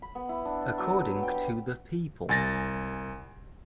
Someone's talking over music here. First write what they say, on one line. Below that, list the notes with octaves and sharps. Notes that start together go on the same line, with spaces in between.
According to the people.
B5
B3
E4
D4
A5
F#3
B4
G5
G4
C2 G#5 A6 A#6